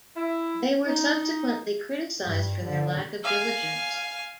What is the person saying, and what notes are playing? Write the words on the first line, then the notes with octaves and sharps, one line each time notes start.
They were subsequently criticized for their lack of diligence.
E4
D#4
G2
D3
F5 G#5